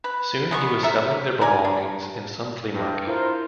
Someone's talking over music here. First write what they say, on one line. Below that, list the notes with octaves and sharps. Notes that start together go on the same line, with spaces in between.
Soon he was selling their belongings in some flea market.
B4
G#3 B3 D5 C#6
A4 A#4 E5
A#4 D5 G#5
D4
G2
E4 F4 A#4 C5